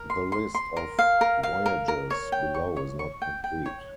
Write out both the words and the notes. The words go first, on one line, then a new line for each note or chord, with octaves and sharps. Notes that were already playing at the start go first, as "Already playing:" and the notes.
The list of voyages below is not complete.
Already playing: A#4
C6
C6
C6
A#4
F5
A#4
F5
A#4
A#4
C#5
G5
C#6
C#5
C#6
G5
G5
C#5